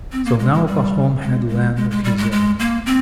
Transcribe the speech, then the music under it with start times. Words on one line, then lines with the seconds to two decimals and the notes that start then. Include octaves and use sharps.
So now Pahom had land of his own.
0.12 C4
0.26 A#3
0.39 G#3
0.53 G#3
0.67 G3
1.22 G#3
1.49 G#3
1.76 G#3
1.91 G#3
2.04 G3
2.18 G#3
2.32 G#3
2.59 A#3
2.86 C4